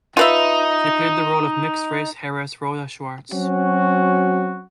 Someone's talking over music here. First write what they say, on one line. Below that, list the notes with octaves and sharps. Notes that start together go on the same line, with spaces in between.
She played the role of mixed-race heiress Rhoda Swartz.
D#4 F4 B4 E5
F#3 C4 C#4 F#4